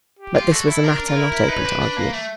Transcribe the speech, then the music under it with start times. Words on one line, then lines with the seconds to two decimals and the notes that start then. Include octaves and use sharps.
But this was a matter not open to argument.
0.19 G4
0.36 F4
0.51 F#4 A4
0.67 E4
0.84 D4 A#4
1.09 F4
1.16 E4
1.33 E4
1.48 D#4 B4
1.58 C#4
1.65 D4
1.81 D4
1.97 A#3
2.13 A3